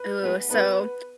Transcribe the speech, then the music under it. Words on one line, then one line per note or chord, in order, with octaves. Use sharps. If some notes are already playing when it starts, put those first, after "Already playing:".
Ooh, so,
Already playing: B4
A2 G#3 B3
G#2 G#3 B3 B4